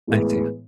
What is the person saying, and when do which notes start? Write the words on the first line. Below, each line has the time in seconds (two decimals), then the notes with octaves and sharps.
I see.
0.07 A2 E3 G#3 B3